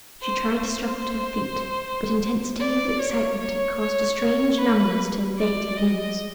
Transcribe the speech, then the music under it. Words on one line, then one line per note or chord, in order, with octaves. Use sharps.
She tried to struggle to her feet, but intensity of excitement had caused a strange numbness to invade her limbs.
C5
C5
D5
C#5
C#5
C#5
C#5
B4
D5
D#5